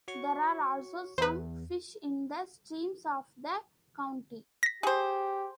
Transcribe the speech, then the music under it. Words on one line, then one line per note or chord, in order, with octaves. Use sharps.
There are also some fish in the streams of the county.
F#4 C#5 C#6
E2 B4 C5
A#6 B6
G4 G#4 C5